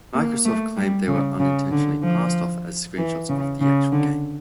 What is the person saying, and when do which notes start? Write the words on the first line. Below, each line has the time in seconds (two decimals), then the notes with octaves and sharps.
Microsoft claimed they were unintentionally passed off as screenshots of the actual game.
0.14 A#3
0.45 A3
0.77 G3
1.08 C#3
1.40 C#3
1.72 D3
2.03 F3
2.98 E3
3.29 C#3
3.61 C#3
3.92 D3